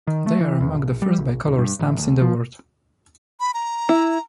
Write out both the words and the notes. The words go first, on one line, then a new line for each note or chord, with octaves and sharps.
They are among the first bicolor stamps in the world.
D#3
A3
E3
E2
A#1
G3
A#1
D#1
G2
A1
D2
F3
B5
A#5
E4